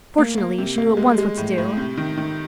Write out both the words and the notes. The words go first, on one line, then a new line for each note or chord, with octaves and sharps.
Fortunately she knew at once what to do.
A#3
A#3
C3
A#3
G#3
G#3
A2
A2
C3
D#3
D#3